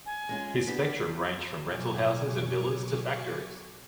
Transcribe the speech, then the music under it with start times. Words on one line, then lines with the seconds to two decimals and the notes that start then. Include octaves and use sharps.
His spectrum ranged from rental houses and villas to factories.
0.06 G#5
0.29 G#3 C#4 F4
0.67 B3 D4 G4 B6
1.61 B2 F#3 G#5 C#6 D6 C#7